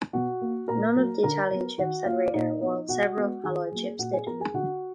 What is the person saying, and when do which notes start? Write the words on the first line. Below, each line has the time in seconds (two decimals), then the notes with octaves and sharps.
None of the Italian ships had radar, while several Allied ships did.
0.13 B2 F#4 F#5
0.41 A#3
0.68 A#2 A#4 A#5
0.96 F#3 A#3
1.23 D3 A#4 A#5
1.51 F#3 B3
1.78 D#3 F#4 F#5
2.06 A#3 F4 F5
2.26 D5
2.34 A#2 D#4 D#5
2.61 F3 B3 D#4 D#5
2.88 B2 F#4 F#5
3.17 G#3 B3
3.44 D#3 G#4 G#5
3.72 F#3 A#3
3.99 A#2 F#4 F#5
4.13 G#4 G#5
4.27 F3 B3 A#4 A#5
4.40 G#4 G#5
4.54 D3 F#4 F#5